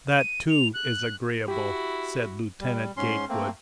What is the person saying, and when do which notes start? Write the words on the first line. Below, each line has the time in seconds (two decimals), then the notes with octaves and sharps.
"That, too, is agreeable," said Lieutenant Gatewood.
0.17 D#7
0.49 F7
0.74 F#6
1.48 E4 F#4 G4
2.60 G3
2.97 G#2 C#4 C6
3.29 A3 A#3 C4